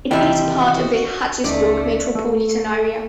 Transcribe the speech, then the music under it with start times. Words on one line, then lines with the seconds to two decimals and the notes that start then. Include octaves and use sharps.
It is part of the Hattiesburg metropolitan area.
0.11 D#2 C3 E3 F3 G3 E4 D#5 G5
0.61 F#4
1.44 C#2 C#3 A3 D#4 D5
2.15 A3